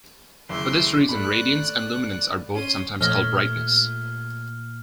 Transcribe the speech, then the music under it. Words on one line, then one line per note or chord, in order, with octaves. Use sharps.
For this reason, radiance and luminance are both sometimes called "brightness".
F#1 E4 C6 D6
A3 D5 B5 F#6
C#4 C6 D#7
A#2 F3 A3 C#5 D#5 F6 A#6 G7